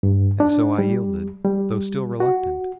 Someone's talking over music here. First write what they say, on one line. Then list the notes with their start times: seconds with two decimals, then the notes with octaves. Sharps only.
And so I yielded, though still reluctant.
0.03 G2
0.40 D4
0.79 G3
1.45 G3
2.20 F#4